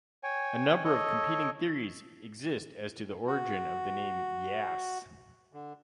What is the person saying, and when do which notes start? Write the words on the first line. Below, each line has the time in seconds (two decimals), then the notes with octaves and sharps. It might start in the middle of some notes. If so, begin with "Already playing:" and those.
A number of competing theories exist as to the origin of the name "Yass".
0.23 C#5 G5 G#5
0.84 A4 C#5 D#5
3.27 F#4
5.53 D3